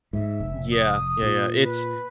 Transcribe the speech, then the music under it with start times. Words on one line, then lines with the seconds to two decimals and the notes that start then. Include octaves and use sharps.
Yeah. Yeah, yeah. It's
0.13 G#2 E5
0.40 F1
0.71 D#6
1.23 A#2
1.62 B4